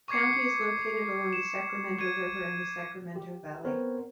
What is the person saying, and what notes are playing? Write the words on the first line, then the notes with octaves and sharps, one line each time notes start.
The county is located along the Sacramento River in the Sacramento Valley.
C#6 D6 G#6 C7 C#7
E7
C#6 G#6 D#7
G4
B3 C4 A#4 C5 C#5